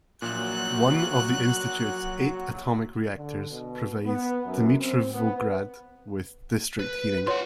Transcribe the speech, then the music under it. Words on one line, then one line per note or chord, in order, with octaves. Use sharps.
One of the institute's eight atomic reactors provides Dimitrovgrad with district heating.
A#1 A#2 F#3 F#6
D3
B2
B3
F#2
C4
B3
B4
F4 C#5 F#5 C6